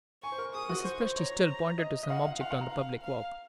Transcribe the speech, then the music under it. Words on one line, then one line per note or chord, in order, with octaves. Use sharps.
Mrs. Presty still pointed to some object on the public walk.
G#5 C#6
C5
A#4
G#4 D#6
F#4
C5 C#6
C5
C#5 A#5
D#5
D#5
F5 F#5
F5
F5 F#5
F#5
A#5
F5
F5